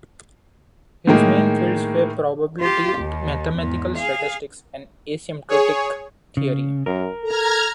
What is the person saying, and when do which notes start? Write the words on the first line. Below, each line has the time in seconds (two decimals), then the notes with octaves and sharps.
His main fields were probability, mathematical statistics, and asymptotic theory.
1.07 A2 D#3 G#3 A#3
2.59 F4 G4
2.99 D#2
3.59 E2 G#2
3.97 G#4 F5
5.49 G#4 C#5
6.37 C#3
6.86 F#2 A#4
7.24 A4 A#5 F6 G#6